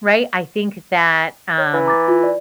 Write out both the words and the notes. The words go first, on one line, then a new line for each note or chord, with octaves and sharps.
right? I think that, um,
C#5
E3
A#5 D6 A6
F4
D5